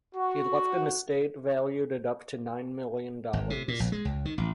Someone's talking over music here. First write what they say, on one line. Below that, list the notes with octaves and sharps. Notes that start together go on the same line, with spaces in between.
He left an Estate valued at up to nine million dollars.
F#4
G#1
C3
A#2
A#1
G#3
C#2
D#3
A1